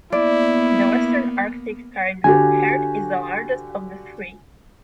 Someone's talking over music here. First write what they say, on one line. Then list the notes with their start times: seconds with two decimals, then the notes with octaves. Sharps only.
The Western Arctic caribou herd is the largest of the three.
0.13 A#3 B3 E4 D5
2.24 D3 F#4 G4 G#5